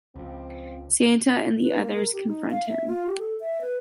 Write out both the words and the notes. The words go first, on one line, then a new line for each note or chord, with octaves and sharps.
Santa and the others confront him.
C#2 F3 C4
B4
A#3
A#4
G4
D#4
F5
E5
F4
G4
A4
E5
B4